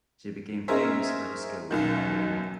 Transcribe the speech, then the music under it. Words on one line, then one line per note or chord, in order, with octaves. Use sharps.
She became famous for her skill with a violin.
C#4 D#4 G#4 A#4 C5 E5
B1 F#2 D#3